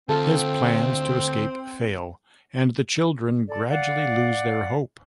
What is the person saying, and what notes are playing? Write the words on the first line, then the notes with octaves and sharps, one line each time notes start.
His plans to escape fail, and the children gradually lose their hope.
D2 C4 F4 A4
A4 D5
D5 F5 F#5